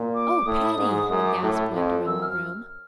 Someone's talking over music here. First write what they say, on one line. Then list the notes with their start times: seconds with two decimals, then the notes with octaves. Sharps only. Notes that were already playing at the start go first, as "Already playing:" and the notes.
"Oh, Patty!" a gasp went around the room.
Already playing: A#2
0.15 D6
0.46 A2 D#6
0.78 G#2
1.10 F#2 D#6
1.27 D6
1.42 A2
1.74 F2
2.06 F#2 E6
2.22 F6